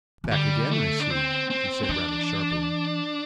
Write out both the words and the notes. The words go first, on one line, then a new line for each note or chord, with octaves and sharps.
"Back again, I see," she said rather sharply.
E3
D3 G3
A3
D4
C4
C4
C4
E3 D4